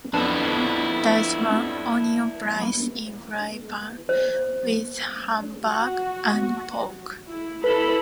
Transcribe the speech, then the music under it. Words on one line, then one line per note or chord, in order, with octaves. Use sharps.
Dice one onion -place in fry pan with Hamburg and pork.
F2 B3 D4 E4
C5
F#4
E4
E4 A4 B4 B5